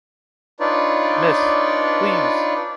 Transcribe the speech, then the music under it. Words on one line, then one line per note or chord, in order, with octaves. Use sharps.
Mrs!... Please!...
D4 D#4 F4 B4 C#5 D5